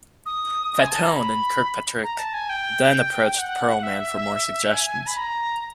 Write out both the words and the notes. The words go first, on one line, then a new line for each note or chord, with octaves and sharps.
Fatone and Kirkpatrick then approached Pearlman for more suggestions.
D#6
G#5
A5
A#5
B5
A#5
A5
G#5
G5
F#5
E5
G#5
B5
A#5